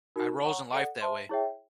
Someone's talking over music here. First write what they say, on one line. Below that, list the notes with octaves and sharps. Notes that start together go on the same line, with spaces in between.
I rose in life that way.
D#4 F#4 A#4
C#5 F#5 A#5 C#6
A4 D5 F#5
C5 E5 A5 C6
E4 G#4 C#5 E5 G5